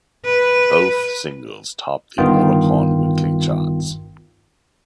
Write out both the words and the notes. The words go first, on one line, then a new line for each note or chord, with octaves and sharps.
Both singles topped the Oricon weekly charts.
B4
G1 G2 D#3 B3 F4 G5